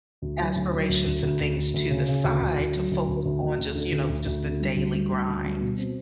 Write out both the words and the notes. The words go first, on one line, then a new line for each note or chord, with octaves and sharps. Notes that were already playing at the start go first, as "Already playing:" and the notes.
aspirations and things to the side to focus on just, you know, just the daily grind.
D2
F#3
D2
F#3
D2
D2
D2
D2
D2
D2
C#3
C#3
D2
D2
D2
F#3
D2
D2
D2
D2
D2
D3
D2
D2
D2
D3
G3
D2
G3
D2
D2
G3
B2
C4